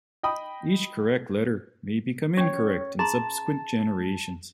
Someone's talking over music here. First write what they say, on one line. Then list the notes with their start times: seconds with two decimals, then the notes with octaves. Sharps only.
Each correct letter may become incorrect in subsequent generations.
0.23 D#5 G5 B5 D#6
2.37 C#4 C#5 G5
2.99 G#4 A5 A#5 C6